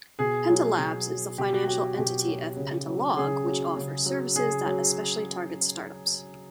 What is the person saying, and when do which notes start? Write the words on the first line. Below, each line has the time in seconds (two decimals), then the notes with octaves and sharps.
Pentalabbs is the financial entity of Pentalog which offers services that especially target start-ups.
0.19 B2 G#4
0.49 F#3
0.79 B2
1.09 F#3
1.38 B2 G4
1.53 F#4
1.67 F#3 G4
1.97 B2 G4
2.27 F#3
2.57 C#3
2.87 F#3
3.16 C#3 G#4
3.47 F#3
3.76 C#3
4.06 F#3
4.36 C#3 G#4
4.66 F#3